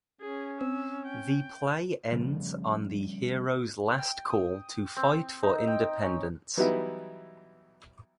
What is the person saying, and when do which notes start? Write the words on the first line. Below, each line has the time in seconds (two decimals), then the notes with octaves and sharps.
The play ends on the hero's last call to fight for independence.
0.21 C#4 G#4
0.61 C4 E6
1.06 G5
2.12 C#3 F3 G3 A3
3.98 G5
4.30 D#6
4.97 C4
5.43 D#4
5.67 G5
6.03 C#4
6.57 E3 F#3 G3 B3 D#4 E4